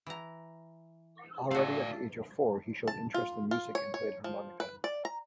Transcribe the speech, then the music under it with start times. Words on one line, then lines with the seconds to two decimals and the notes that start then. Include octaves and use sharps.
Already at the age of four he showed interest in music and played harmonica.
0.06 E3 A#5
1.51 A3 F#4 D5 F5
2.87 A5
3.14 F4
3.51 F4
3.75 C#5
3.94 C#5
4.24 F3
4.60 B4
4.84 D5
5.05 A#5